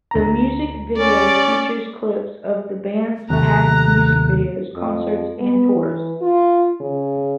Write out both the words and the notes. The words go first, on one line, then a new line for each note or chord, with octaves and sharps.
The music video features clips of the band's past music videos, concerts, and tours.
D2 A#5
C#4 D5
D#2 C3 F#3 A3 A#5 F#6
F2
B3
E3
F4
C#3